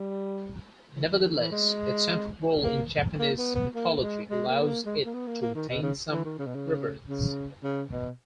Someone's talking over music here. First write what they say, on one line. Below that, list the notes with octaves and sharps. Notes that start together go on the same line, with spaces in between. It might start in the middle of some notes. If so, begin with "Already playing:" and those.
Nevertheless, its central role in Japanese mythology allows it to retain some reverence.
Already playing: G3
E3
E3
D#3
E3
G#3
A#3
A#3
B3
B3
A#3
G#3
G#3
A#3
B3
A#3
G#3
A#3
B3
A#3
A#3
D#3
B2
C#3
E3
D#3
C#3
B2
C#3
C#3
C#3
B2